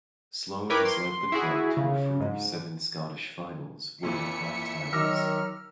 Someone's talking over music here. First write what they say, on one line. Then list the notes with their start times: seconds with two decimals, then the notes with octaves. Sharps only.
Sloan has led the club to a further seven Scottish finals, winning five times.
0.70 E4 A#4 B4 C#5 G5 D6
0.85 C6
1.32 E4 F#4 G#4
1.77 C#3
2.20 G#2
4.03 F2 A#2 E3 E5 C#7
4.93 D#3 F#3 D6 E6 F6 A#6